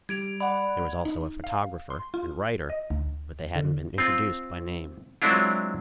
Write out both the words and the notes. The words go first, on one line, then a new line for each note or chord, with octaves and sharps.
There was also a photographer and writer, but they hadn't been introduced by name.
G3 G#6 D7 F7
D5 F#5 B5
D#4
F5
C6
F4
D#5
D2
D3
C4 F4
F#3 G#3 C4 D4 E4 F4